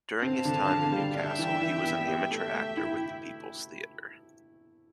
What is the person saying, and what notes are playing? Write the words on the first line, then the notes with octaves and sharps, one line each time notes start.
During his time in Newcastle he was an amateur actor with the People's Theatre.
C4 F5 A5
D3
D3
G3
D4 E5 G5
E3
E3
B3
G4 E5 G5
A3
A3
E4